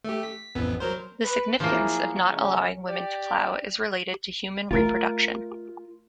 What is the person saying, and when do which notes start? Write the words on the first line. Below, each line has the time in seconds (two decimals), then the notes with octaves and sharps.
The significance of not allowing women to plough is related to human reproduction.
0.05 A3 G4
0.23 B6
0.55 A1 F2 B3
0.80 F#3 A#4 C5
1.24 B4
1.60 F3 F#3 A#3 E4 G#4
2.29 C#3 C#4
2.88 G4 D5
4.71 A3 F4 A#4